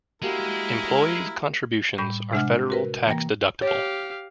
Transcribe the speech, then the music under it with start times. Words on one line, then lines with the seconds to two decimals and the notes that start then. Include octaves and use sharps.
Employees' contributions are federal tax-deductible.
0.22 G#3 A#3 E4 F#4 G4 A#4
1.98 A2 G3 B5 G6
2.32 C3 G#3 D4 E5 F#5 F6
2.70 F#4 A#4 B4
3.06 E3 A#3 G5 A#6
3.62 G4 C#5 F5